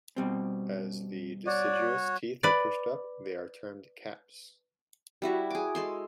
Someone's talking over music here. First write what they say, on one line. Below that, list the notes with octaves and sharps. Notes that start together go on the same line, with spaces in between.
As the deciduous teeth are pushed up, they are termed "caps".
B2 G3 C4
F#4 C#5 D5
B4 D5
G3 E4 F#4
G#4 D6
G#3 A4 C6